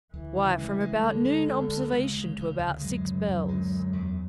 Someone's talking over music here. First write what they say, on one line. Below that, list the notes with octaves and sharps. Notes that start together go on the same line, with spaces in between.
"Why, from about noon observation to about six bells."
D2 E3
C#3
G#3
G#3
D2 D3
G#3
D2
D2
C#3 G#3
D2
D2
D2
F#2 G#3
C#3
D2
G#3
D3
E2